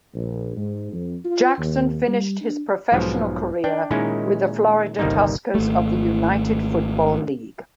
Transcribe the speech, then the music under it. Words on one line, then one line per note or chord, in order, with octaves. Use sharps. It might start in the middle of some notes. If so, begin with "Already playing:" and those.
Jackson finished his professional career with the Florida Tuskers of the United Football League.
A#1
G#2
F2
F4
D#2
G3
D4
B1 G#2 B2 F3
D4 D5 G5
A#2 D#3 G#3 C#4 D#4 E4
G1 C2 D#3 G3 A#3 D#4
G#1 A3